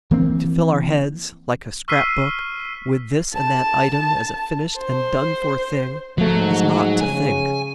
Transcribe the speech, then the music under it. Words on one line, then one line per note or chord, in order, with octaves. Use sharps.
To fill our heads, like a scrapbook, with this and that item as a finished and done-for thing, is not to think.
E3 A#3 C4
C#6 E6 F6 B6 C7 D#7
A5
C5
G#2 F3 F#3 A3
C#3 G#5